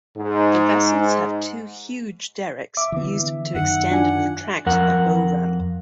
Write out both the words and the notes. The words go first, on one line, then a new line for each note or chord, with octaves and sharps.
The vessels have two huge derricks used to extend and retract a bow ramp.
G#2
E5 D6
D3 E3 B3
F#2 D#3 F#5
D4 F4 G#5
F2 A#4 F#5